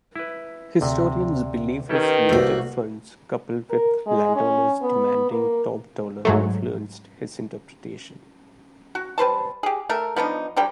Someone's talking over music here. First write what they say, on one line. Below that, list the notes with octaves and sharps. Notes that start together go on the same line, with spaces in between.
Historians believe his limited funds, coupled with landowners' demanding top dollar, influenced his interpretation.
E4 B4
D2 C3
D#3 C#4 G4 A4 B4
C2 A3 A#3 F#4 G4
A#4
G#3
C#4
B3
A#3
G#2 F#3 A3
F#4
G3 B4 C5 A5
G4 G#4
A3 A4 A#4
F3 B3 D4 D#4
D3 F#3 G3 G5